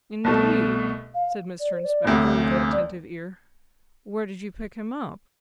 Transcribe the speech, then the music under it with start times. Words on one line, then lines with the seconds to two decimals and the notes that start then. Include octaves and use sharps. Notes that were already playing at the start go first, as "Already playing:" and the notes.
'Indeed?' said Mr Inspector, with an attentive ear; 'where did you pick him up?'
0.24 C2 B2 A3 A5
1.14 F5
1.60 D5
1.73 C5
1.84 D5
2.05 E1 D2 C3
2.50 C5
2.72 D5